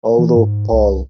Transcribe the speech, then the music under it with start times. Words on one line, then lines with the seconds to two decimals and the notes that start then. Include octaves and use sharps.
Although Pol.
0.18 E3
0.36 G#2
0.72 C2